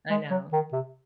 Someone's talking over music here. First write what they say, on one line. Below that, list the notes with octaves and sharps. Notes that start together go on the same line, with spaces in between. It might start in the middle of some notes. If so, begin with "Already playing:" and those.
I know.
G#3
F#3
D#3
C3